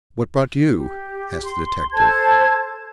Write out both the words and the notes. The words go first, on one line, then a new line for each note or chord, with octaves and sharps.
"What brought you?" asked the detective.
G4
C6
A4 C5 A5 G#6